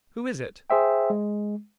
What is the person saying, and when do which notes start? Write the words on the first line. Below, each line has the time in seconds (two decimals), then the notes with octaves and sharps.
"Who is it?"
0.70 G#4 C5 E5 G5
1.10 G#3